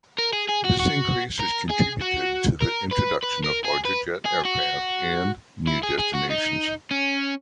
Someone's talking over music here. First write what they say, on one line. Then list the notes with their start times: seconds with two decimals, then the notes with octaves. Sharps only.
This increase is contributed to the introduction of larger jet aircraft and new destinations.
0.18 A#4
0.33 G#4
0.49 G#4
0.64 F#4
0.79 F#4
1.40 A#4
1.70 G#4
2.02 F#4
2.62 A#4
2.92 B4
3.24 B4
3.44 A#4
3.64 G#4
3.85 B4
4.26 G#4
4.45 F#4
5.68 E4
5.83 G#4
5.99 G#4
6.14 F#4
6.30 D#4
6.91 C#4